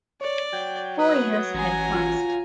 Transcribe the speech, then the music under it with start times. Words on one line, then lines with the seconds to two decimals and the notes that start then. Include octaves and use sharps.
Four years had passed.
0.21 C#5 D5
0.53 F#3 G5
0.99 B4 D#6
1.54 A1 G#5 A#5
1.94 F4